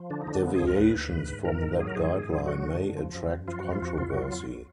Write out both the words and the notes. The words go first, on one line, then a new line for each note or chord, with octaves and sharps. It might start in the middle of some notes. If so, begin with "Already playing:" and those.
Deviations from that guideline may attract controversy.
Already playing: F3
D3 D4
D#4
D3
D4
F3 B3
G#4
D2 A#4
D2 B4
D2
G#2
G#2
D#3 A#4
G#2
F#3 G#4
A#4
G#2 G#4
G#2
F#3
D3 F#4
D3
F#2
F3
F#2
F#2
F3 F4
F3 F#4
F4
F2 F#4
F2 F4
F#3 F#4
F4
F2